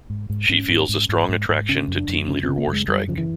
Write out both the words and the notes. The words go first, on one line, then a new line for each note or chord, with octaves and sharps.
She feels a strong attraction to team leader Warstrike.
G#2
G#2
G#2 C#4
G#2
G#2
G#2
G#2
G#2
C#3 C#4
F#2
D4
F#2
C#3 C#4
C4
C#3
A#3
F#2
G#3
F#2 G3
C#3 F3
E3